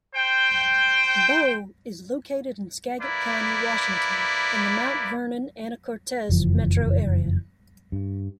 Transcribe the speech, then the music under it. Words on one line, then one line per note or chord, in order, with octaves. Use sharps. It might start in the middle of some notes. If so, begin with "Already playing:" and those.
Bow is located in Skagit County, Washington, in the Mount Vernon-Anacortes metro area.
C5 G5
A#3 E4 B4 D5
F#1 F2 E3 F3
G2